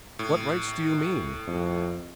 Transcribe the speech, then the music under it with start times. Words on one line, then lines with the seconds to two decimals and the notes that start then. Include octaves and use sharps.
"What rights do you mean?"
0.19 A2
1.47 F2